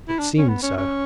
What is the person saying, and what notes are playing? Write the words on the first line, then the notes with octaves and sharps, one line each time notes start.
It seemed so.
E4
D4
C#4
B3
C#4
C#4